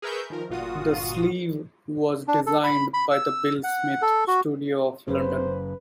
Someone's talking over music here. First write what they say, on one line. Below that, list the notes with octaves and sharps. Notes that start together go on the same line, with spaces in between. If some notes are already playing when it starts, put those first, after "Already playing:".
The sleeve was designed by the Bill Smith Studio of London.
G#4 A#4 B4 E5 C#6 G6
D#3 F3 A#4
G1 A#2 F4 F#4 D#6
D4
A4
B5
B5
E6
F#5
A4
F#4
F#1 F#2 C#3 B4 C5